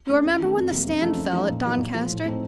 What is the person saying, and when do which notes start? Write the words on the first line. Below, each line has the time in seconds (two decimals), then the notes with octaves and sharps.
You remember when the stand fell at Doncaster?
0.09 A3 C#4
0.25 F#2
0.40 D#3 A3
0.56 F2
0.71 C3 F#3 A#3
0.87 F#2
1.01 F3 A3 D#4
1.18 F#2
1.33 F3 A3 D#4
1.49 A#2
1.64 F#3 A#3 D#4
1.78 A#2
1.94 F3 A3
2.10 A2
2.26 A3 C4 D#4